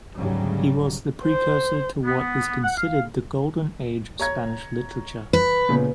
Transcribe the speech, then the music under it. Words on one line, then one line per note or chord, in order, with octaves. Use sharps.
He was the precursor to what is considered the golden age of Spanish literature.
D2 G#2 C#3 F#3 G3
C5
B3
F#5
F5
C#5 A#5 G#6
B4
A#2 C#3 B3